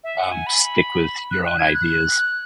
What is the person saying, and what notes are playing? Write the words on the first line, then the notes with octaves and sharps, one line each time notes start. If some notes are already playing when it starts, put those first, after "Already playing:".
um, stick with your own ideas.
E5
F#5
G#5
B5
F#6
F#6
G#6
F#6